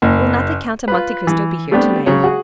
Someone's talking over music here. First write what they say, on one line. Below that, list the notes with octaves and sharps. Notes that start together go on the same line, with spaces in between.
"Will not the Count of Monte Cristo be here to-night?"
F#1
F4 B4
E3
G3 A3 B3 C4 D4 G4
C#3 F#3 C#5
F#4 G#4